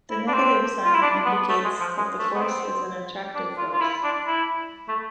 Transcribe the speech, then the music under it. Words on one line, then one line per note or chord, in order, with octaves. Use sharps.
The negative sign indicates that the force is an attractive force.
E4
D4
C4
F4
E4
D4
B3
A3
G#3
F3
G#3
A3
B3
C4
D4
F4
F4
E4
D4
E4
A3